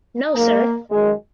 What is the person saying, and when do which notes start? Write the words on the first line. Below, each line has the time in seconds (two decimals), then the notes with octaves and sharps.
No sir!
0.34 G#2 F#3 A#3
0.91 F#2 D#3 F#3 G#3